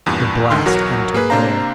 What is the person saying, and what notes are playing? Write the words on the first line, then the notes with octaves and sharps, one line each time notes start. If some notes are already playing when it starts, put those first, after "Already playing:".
The blast entered there.
E2 G2 A#2
C#2 D3 D#3 C6
B1 E2 F#3 F#4 A#4
A#3 G#4 B4
C3 A#3 D4 C5 F5 A#5